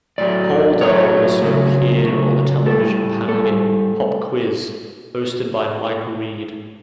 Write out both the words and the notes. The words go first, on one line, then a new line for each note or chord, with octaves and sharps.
Holder also appeared on the television panel game Pop Quiz, hosted by Mike Read.
A2 F#3 A3 D5
A2 F#3 A3 C#5
C#3 F#3 A3
C#3 F#3 A3
A2 G3 A4
A2 A4
G3